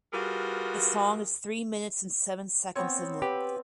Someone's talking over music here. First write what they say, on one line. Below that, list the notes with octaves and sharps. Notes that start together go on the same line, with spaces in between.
The song is three minutes and seven seconds in length.
G3 F4 F#4 G#4 A#4 B4
B3 C4 C#5
G4 B4